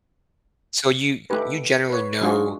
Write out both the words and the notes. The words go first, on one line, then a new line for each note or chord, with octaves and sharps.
So, you y you generally know
A3 D#4 G4 B4
B4 C#5
F#3 G#3 D4 F4 F#4 G#4